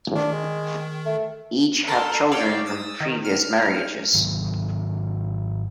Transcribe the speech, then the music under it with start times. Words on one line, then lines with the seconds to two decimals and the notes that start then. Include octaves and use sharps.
Each have children from previous marriages.
0.16 D#3 D4
0.32 G#3
1.06 A3
1.87 A4 A#4 A5 A#5 C6
2.31 C#5 D5 F5 G5 E6
2.66 D#6 E6 A6
3.00 D#3
3.25 F6
4.14 G#2 D#3 F#3